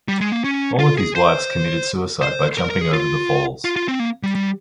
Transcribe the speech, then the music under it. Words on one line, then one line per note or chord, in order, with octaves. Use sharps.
All of his wives committed suicide by jumping over the falls.
G3
G#3
A#3
C#4
F4
G#4
C5
C5
A#4
A#4
G#4
F4
F4
F4
C4
A#3
G3
G3